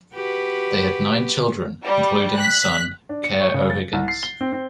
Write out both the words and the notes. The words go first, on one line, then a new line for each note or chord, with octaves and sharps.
They had nine children including son Cahir O'Higgins.
F#4 G4 B4
G3
F#6 B6
D4
C#7
C#5
C#3
A6
C2
C7
G7
C4
C4